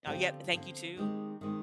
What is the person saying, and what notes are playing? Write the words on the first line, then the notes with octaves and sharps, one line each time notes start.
Oh, yeah, eh, thank you, too.
D3 F3 C4 F4 G4
D3 F3 C4 F4
D#3 G#3 C4 G4
D#3 G#3 C4